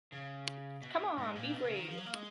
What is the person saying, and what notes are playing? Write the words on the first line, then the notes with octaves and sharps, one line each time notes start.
Come on, be brave!
C#3
B2
G#2
A#2
B2
C#3
D#3
F3
F#3
A#3
G#3